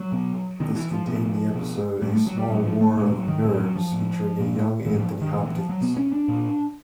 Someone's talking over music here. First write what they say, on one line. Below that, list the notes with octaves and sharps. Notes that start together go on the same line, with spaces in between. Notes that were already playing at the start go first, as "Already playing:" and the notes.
This contained the episode A Small War of Nerves featuring a young Anthony Hopkins.
Already playing: F#3
B2
B2 D#3
E3
F3
B2 F3
B2
A2 G3
A3
F#3
G3
A2 F#3
F3
A3
A#2 G#3
F#3
D#3
A2 F#3
F#3
F3
A2
A#2
A2 E3
F3
D#3
A#2 E3
E3
F3
F#3
B2 B3
C#4
D4
A#2